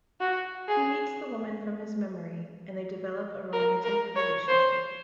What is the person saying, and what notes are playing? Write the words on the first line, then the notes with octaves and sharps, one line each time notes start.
He meets the woman from his memory, and they develop a romantic relationship.
F#4
G#4
A#4
A#4
C#5
C5